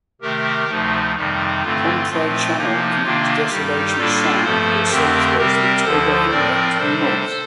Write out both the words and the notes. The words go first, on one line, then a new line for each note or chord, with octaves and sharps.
Homfray Channel connects Desolation Sound to the southwest with Toba Inlet to the north.
C3 D#3 A3 G4 A#4
D2 C3 F3 A3 D#4
F2 C3 D#3 G3 D#4
G2 D3 A3 C4 F4
A#2 F3 A3 C4
C3 F3 A#3 D#4
C3 D#3 A#3 D4 F4
G2 D#3 G3 D#4 G4
A2 G3 A#3 D4 F4 A4
G2 F3 A3 A4 C5
F2 D3 A3 C4 G4 A#4
C3 G3 C4 G4 A#4
D2 D3 F3 A4 C5
A2 F3 C4 A#4 D5
C3 G3 D4 A4 C5